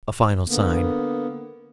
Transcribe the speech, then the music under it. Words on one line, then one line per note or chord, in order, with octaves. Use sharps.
A final sign.
D3 A#3 B3